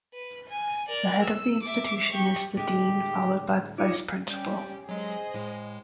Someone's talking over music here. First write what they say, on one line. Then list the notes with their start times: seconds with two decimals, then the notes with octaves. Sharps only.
The head of the institution is the dean followed by the vice-principal.
0.14 B4
0.49 G#5
0.89 A#4 D5
1.23 E6
1.63 E5 D6
2.11 G4 C#6
2.57 A2 D3 G#3 G4
3.78 D#4 F4 C#5 D6
4.28 G3 C#4 G4 G6
4.89 F#3 G#3 G#4 C5 D#5
5.34 A2 G#3